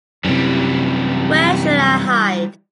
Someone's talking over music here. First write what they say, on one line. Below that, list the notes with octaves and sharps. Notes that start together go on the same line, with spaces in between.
Where shall I hide?
F#2 C3 E3 G3